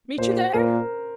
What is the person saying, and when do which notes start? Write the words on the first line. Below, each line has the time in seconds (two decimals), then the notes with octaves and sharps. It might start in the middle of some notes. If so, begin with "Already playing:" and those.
Meet you there?
0.18 A#2 C5
0.54 A#2 A#4